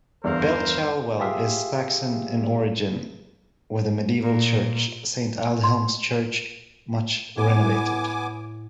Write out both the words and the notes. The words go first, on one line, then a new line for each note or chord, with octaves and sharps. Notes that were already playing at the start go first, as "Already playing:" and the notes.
Belchalwell is Saxon in origin, with a medieval church, Saint Aldhelm's Church, much renovated.
G1 E2 D4 A#4 C5 F5
F4 G4 G#4 E5 F5
A#2
C6
A2 B3 G#5 D6